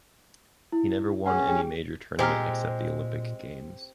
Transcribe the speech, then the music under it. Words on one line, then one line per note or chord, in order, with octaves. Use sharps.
He never won any major tournament except the Olympic Games.
E4
C#4 G#4 F#5
G4 G#4 G5
A#2 G#3 C4 G4 C5 A#5 F6